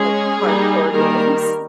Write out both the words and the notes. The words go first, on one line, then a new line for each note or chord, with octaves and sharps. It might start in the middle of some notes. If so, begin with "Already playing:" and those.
Like, hardcore games.
Already playing: G#3 C#4 G#4
G3 A#3 D#4
D#3 G3 A#3 A#4